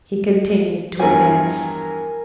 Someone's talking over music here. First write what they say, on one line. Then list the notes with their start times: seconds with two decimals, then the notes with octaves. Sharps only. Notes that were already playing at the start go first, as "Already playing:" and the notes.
He continued to advance.
0.99 E2 G2 F3 A#4 G#5